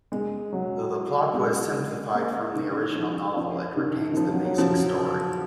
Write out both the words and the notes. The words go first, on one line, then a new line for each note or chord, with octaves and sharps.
Though the plot was simplified from the original novel, it retains the basic story.
G#3
F#3
G#3
A#3
D#3
F3
F3
D#3
D#3
F3
F#3
F#3
F3